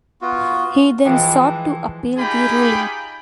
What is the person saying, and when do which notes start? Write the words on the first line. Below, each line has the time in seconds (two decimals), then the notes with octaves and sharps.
He then sought to appeal the ruling.
0.22 B3 F4 F#4
1.05 E3 F3 G#3 G5 D6
2.17 D#4 F4 G4 G#4 G5 B5